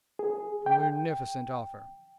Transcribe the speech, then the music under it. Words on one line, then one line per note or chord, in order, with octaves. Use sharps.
"A munificent offer."
G#4
G5